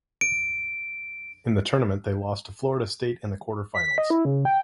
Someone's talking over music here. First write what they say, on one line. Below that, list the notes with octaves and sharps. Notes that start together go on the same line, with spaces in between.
In the tournament they lost to Florida State in the Quarterfinals.
D7
B6
D#5
E4
C#3
G5